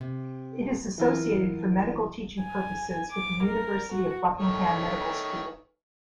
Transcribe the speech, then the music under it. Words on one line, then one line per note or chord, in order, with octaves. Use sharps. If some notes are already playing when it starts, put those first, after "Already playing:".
It is associated for medical teaching purposes with the University of Buckingham medical school.
C3
E3 F#3 E4 F4 A#4
G#5
D6
A#4
F#4
D#3 A3 C#5